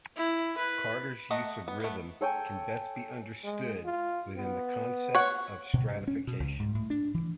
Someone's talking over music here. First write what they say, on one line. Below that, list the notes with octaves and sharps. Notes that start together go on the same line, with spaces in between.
Carter's use of rhythm can best be understood within the concept of stratification.
E4
B4
A3 D#5 F#5 A#5
B3
A3 B3
A4 C#5 G5 G#5
G#3
F4
B3
C#5 F#5
B2
G2
C#4
B2
C#2
G#2
A2
D4
E3